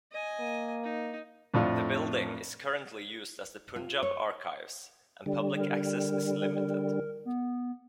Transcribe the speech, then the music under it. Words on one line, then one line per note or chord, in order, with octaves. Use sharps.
The building is currently used as the Punjab Archives, and public access is limited.
D#5 G#5
A#3
D#4
F2 A2 D4 F4
F4
C#5
D3 G3
A#4
B3